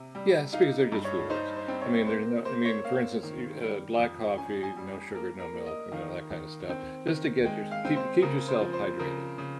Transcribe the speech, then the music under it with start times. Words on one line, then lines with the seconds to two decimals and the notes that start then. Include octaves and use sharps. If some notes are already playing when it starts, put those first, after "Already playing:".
Yes, because they're just fluids, I mean, there's no I mean, for instance, you uh, black coffee, no sugar, no milk, you know, that kinda stuff, just to get your keep keep yourself hydrated,
Already playing: C3
0.15 G3
0.53 D#4 F5
0.92 G2
1.04 C#5
1.30 D#4 C5
1.56 C5
1.68 C4
1.81 C#5
2.07 A#3 C5
2.45 A#3 C5
2.65 C#5
2.84 A#3 F5
3.23 D#3
3.62 G3
3.99 F2
4.38 C#4 G#5
4.63 G#5
4.76 G3
5.15 A#3 A#4
5.40 A#4
5.54 A#3
5.66 D#5
5.92 D#3 F5
6.30 D#3
6.69 C4
7.07 D#3
7.45 G#3 G5
7.71 F5
7.85 C4
7.96 C5
8.22 C#3 A#4
8.48 C5
8.61 F3
8.73 C5
8.99 C#3 A#4
9.38 C#3